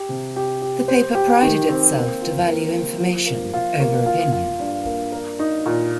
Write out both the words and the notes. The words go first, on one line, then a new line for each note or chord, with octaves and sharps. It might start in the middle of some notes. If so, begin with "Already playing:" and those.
The paper prided itself to value information over opinion.
Already playing: G4
C3
G4
G4
C5
G4
D#3
C4
A#3
F4
A#3
A#3
F3
A#3
F4
A#3
F4
F4
G2
A#3
A#4
D#4
A#2